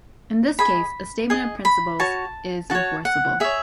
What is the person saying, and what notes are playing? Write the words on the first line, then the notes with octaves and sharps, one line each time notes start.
In this case, a statement of principles is enforceable.
G#4 D#5 B5
G#4 D#5
B5
F#4 C#5 A5
F#4 C#5 A5
F#5
G#4 C#5 E5